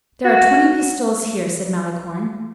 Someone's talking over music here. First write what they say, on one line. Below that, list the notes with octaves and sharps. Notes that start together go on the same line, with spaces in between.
"There are twenty pistoles here," said Malicorne.
F#4